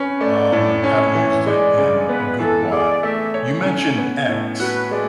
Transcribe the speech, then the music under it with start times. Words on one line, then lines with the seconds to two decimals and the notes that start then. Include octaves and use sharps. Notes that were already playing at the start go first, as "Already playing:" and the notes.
Um, haven't used it in a good while. You mentioned X.
Already playing: C#4 B4
0.21 A3 D5
0.52 A2
0.83 C#4 C#5
1.15 E3
1.46 G#3 D5
1.78 C#3
2.09 B3 B4
2.40 E3 A4
2.72 G#4 D5
3.03 A3 E5
3.34 C#5
3.66 C#4
3.98 B3
4.29 A2
4.60 F#4 B4
4.91 G#3 D5